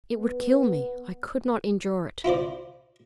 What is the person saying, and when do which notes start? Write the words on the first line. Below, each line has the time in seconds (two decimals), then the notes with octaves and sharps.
It would kill me; I could not endure it.
0.18 B3
2.24 E4 F4 C5 D5